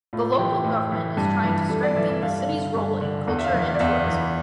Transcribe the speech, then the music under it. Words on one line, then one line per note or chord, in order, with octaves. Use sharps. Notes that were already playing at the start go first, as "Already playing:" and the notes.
The local government is trying to strengthen the city's role in culture and tourism.
A2 F4
E3 G4
A2
E3
G2
E3
G2 A4
D5
E3 E5
E5
G2 F5
F5
D3
G2
D3
E2
E5
F5
E3
F5
D5
E2 E5
E3